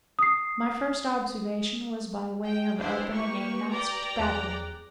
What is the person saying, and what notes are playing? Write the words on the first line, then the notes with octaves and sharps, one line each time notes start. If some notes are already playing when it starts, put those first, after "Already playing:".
My first observation was by way of opening a masked battery.
D#6 C7
G5
D4 E4 G4 B4 C5
A#3 C#6
D5 G5 A#5
E2 G#4 F#6